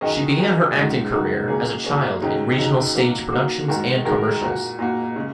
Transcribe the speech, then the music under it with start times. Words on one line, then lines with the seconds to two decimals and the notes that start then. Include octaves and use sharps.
She began her acting career as a child in regional stage productions and commercials.
0.01 D#3 F#3 C#4 G#4 D#5
0.38 D#3 F#3 C#4 G#4 D#5
0.75 C#2 C#3 G#3 D#4 F#4
1.11 C#2 C#3 G#3 D#4 F#4
1.48 F#3 A#3 C#4 G#4
1.84 F#3 A#3 C#4 G#4
2.22 D#2 C#3 F#3 D#4
2.58 D#2 C#3 F#3 D#4
2.95 F#3 A#3 F#4
3.32 F#3 A#3 F#4
3.68 G#2 D#3 G#3 F#4 A#4
4.05 G#2 D#3 G#3 F#4 A#4
4.42 A#2 A#3 F#4
4.79 A#2 A#3 F#4
5.16 C#3 G#3